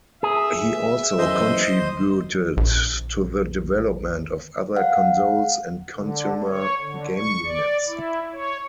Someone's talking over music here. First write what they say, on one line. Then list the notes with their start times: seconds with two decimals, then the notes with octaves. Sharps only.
He also contributed to the development of other consoles and consumer game units.
0.23 G#4 E5
1.18 F#2 E3 C5 D#5 E6
2.57 A#1
4.76 F5 F#5
5.94 D3
6.48 C#5
6.80 D3
7.16 C#6
7.45 D5
7.88 E4
8.33 C#5